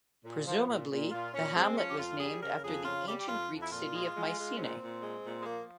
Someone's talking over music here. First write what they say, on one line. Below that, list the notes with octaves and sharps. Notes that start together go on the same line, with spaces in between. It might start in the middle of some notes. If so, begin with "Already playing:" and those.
Presumably the hamlet was named after the ancient Greek city of Mycenae.
A#2
F3
A#2
A#2
A#2 F4
A#2 C#4
G#3 C4
F3 C#4
G4
F2 F4
G3 G#4
C#3 A#4
F2 G#4
C#3 F4
G3 G4
G4
F2 F4
F2
E4
A#2 F4
G#3
G#3
G#3
C#4
A#2 C4
A#2
G#3
A#2
G#3
F3 A#3